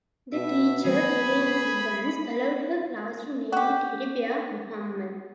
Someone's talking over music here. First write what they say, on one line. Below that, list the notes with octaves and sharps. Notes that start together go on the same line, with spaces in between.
The teacher, Gillian Gibbons, allowed her class to name a teddy bear Muhammad.
B2 E5
D#3 F#3 A3 B3 G#4 B5
F#4 G4